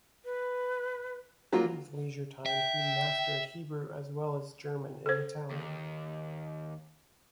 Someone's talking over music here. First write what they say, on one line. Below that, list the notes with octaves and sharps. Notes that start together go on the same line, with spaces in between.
In his leisure time he mastered Hebrew as well as German and Italian.
B4
F#3 A#3 F4
E5 G5
A4 C5
D#2